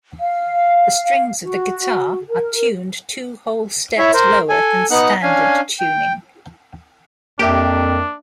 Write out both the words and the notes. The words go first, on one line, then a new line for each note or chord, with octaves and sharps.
The strings of the guitar are tuned two whole steps lower than standard tuning.
F5
F#4
A#4
E4 C#5 E5
A#4 C5
A4 G#5
B3 D#4 F#5 F#6
C#4 D4 F5 G#5
G5
F2 A#3 D4 G4 A#4 E5